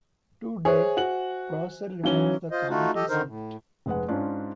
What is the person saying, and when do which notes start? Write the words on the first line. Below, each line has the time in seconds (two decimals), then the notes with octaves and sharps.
To date, Prosser remains the county seat.
0.65 G#4 C5 C#5 E5 G#5
0.97 F#4 F#7
2.04 E3 F#3 C#4 D#4 F5 G7
2.50 F4 C5 D#5
2.69 A3 D#4 F4 F#4
2.95 G4 A4 D#5
3.09 D3 D#3 D#4 A#4 C5
3.26 A2
3.86 F1 G#3 B4 F#5
4.08 G#2 C#4 D4 F4